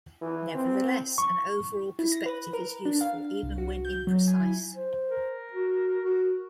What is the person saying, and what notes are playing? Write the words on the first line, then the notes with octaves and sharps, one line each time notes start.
Nevertheless, an overall perspective is useful even when imprecise.
E3
C4
C#6
E4
A#6
B4
A#4
D4
F5
C2
F#4
G6
F#3
G#5
E4
C5
A#4
F#4
F#4